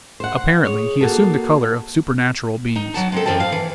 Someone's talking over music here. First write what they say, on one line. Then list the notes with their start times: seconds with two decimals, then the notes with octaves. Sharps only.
Apparently he assumed the colour of supernatural beings.
0.20 C5 F#5
0.65 G#4 C#5
1.01 A#3 F#4 A4
2.76 D#4
2.94 F#3 F#5 A5
3.12 G#3 C4 A4
3.26 F#2 E3 C4 F4 A5
3.40 F5
3.52 E3